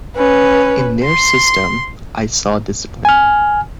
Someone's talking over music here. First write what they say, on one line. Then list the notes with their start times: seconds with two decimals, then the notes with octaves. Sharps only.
In their system, I saw discipline.
0.16 C#4 B4
1.04 C6
3.05 G#5 F6